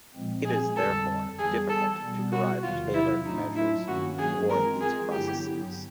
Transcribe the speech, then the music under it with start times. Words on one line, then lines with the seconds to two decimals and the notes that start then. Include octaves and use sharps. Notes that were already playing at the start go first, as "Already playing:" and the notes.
It is therefore difficult to derive tailored measures for these processes.
0.15 A#2 F3 G#3 C4
0.45 G#4
0.76 F2 D3 G3 A4
1.38 E3 G3 B3 G#4
1.69 A4
2.01 B2 G3 B3
2.32 F#4
2.62 E2 C3 D#3 F#3 F4
2.94 E4
3.24 A2 F#3 A3 D4 D#4 F4
3.56 E4
3.87 G2 D#3 F#3 A#3 C#4 F#4
4.18 G#4
4.50 E3 G#3 C4 F4 A#4
4.81 G#4
5.11 G2 D3 F#3 B3 E4 G4